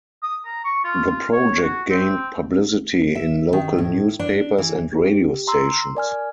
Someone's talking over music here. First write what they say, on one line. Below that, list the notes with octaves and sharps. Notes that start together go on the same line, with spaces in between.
The project gained publicity in local newspapers and radio stations.
D#6
A#5
C#6
F4
F4
C#5
F#4
C4
E5
D#3
A2
D4
E3
G4
A#5 C6 E6
A#4 D5 G#5 F6